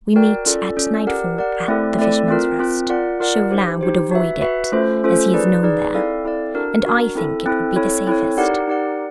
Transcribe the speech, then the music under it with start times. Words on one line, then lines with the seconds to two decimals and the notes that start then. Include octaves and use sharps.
We meet at nightfall at 'The Fisherman's Rest.' Chauvelin would avoid it, as he is known there, and I think it would be the safest.
0.16 F#4 A#4 D5 G5
0.46 C#4 F4 A4 D5
0.76 C#4 F4 A4 D5
1.07 G4 A#4 D5 F#5
1.37 G4 A#4 D5 F#5
1.68 A3 C4 E4 A4 D5
1.98 A3 C4 E4 A4 D5
2.28 C4 F4 A#4
2.59 C4 F4 A#4
2.90 F4 A#4 D5 F#5
3.20 F4 A#4 D5 F#5
3.50 D#4 G4 C5
3.81 D#4 G4 C5
4.11 F#4 B4 E5
4.42 F#4 B4 E5
4.72 A3 C#4 F4 A4 C5
5.03 A3 C#4 F4 A4 C5
5.33 D#4 G#4 B4 D5
5.63 D#4 G#4 B4 D5
5.94 C4 E4 A4 D5 F5
6.24 C4 E4 A4 D5 F5
6.55 D4 F#4 A#4
6.85 D4 F#4 A#4
7.15 C4 E4 A4
7.46 C4 E4 A4
7.76 C4 E4 A4 C#5
8.07 C4 E4 A4 C#5
8.37 D#4 G4 A#4 D5 F#5
8.68 D#4 G4 A#4 D5 F#5